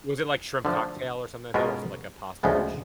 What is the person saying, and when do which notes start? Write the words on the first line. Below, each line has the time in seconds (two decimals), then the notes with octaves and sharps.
was it like shrimp cocktail, or something like that, or was it like a pasta dish?
0.65 D3 F3 A3
1.54 B2 G#3 C#4 F4 A#4
2.43 D2 C#3 F3 G#3 B3